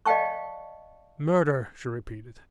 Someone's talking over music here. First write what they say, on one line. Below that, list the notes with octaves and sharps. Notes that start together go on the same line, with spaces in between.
"Murder!" she repeated.
D5 D#5 F5 G5 A5 C#6